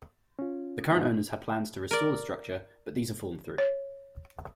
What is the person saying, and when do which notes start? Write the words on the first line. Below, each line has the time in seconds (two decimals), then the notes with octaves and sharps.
The current owners had plans to restore the structure, but these have fallen through.
0.39 C#4 F4
0.91 G#2 B2
1.91 A#4 D5
3.58 C#5